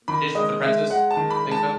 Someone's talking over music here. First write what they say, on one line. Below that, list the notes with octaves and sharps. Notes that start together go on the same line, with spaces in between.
The Magician's Apprentice? I think so.
D#3 B5
G#3 D#5
G#3 E5
G#3 F#5
A5
D#3
B5
G#3
A5